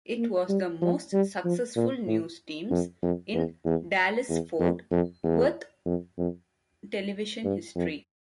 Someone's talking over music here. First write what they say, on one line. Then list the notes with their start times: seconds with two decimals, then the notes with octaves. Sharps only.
It was the most successful news teams in Dallas-Fort Worth television history.
0.18 A#3
0.49 G3
0.82 F3
1.13 G3
1.44 F3
1.76 A#2
2.07 A2
2.71 F2
3.02 F2
3.34 E2
3.65 E2
4.29 E2
4.60 F2
4.91 F2
5.23 E2
5.86 F2
6.18 F2
7.44 G2
7.75 F2